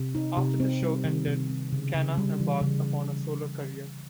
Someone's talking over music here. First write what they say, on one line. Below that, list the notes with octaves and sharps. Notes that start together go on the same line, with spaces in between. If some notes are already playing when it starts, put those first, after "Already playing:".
After the show ended, Kana embarked upon a solo career.
Already playing: C3
D#4
C3
C4
G3
D#3
C3
C4
C#3
C#3
G3
E3
C#3